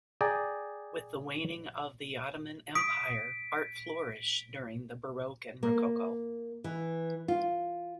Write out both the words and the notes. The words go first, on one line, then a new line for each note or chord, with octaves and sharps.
With the waning of the Ottoman Empire, art flourished during the Baroque and Rococo.
G#4 D5 G5 A#5
D#6 B6 D7
A#3
E3
F4